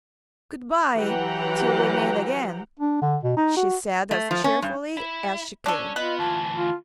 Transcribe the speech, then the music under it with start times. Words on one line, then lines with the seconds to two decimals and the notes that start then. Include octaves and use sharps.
'Good-bye, till we meet again!' she said as cheerfully as she could.
0.96 E3 F#3 G4 F#5 G5 A#5
2.79 D4
3.01 D3
3.23 B2
3.37 D#4
3.57 F#4
4.11 A3
4.31 F3
4.44 C#4
4.62 G2
4.97 E4
5.66 C#4 D4 A4
5.96 B3 F4 B4 D#5
6.19 D2 E3 A5
6.55 F4